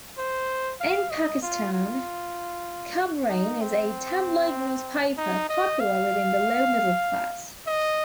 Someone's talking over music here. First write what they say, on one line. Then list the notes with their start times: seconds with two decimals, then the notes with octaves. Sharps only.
In Pakistan, "Khabrain" is a tabloid newspaper popular within the lower middle class.
0.18 C5
0.80 F5
1.11 D#5
1.43 F4
1.73 F4
3.30 D#4
3.61 C4
5.17 D#4
5.49 D#5
5.80 F5
7.67 D#5